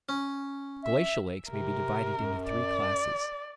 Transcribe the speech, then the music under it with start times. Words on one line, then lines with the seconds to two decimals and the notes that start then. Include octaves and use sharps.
Glacial lakes may be divided into three classes.
0.09 C#4
0.83 E5
1.52 C3 A#4
2.18 F#2
2.47 D5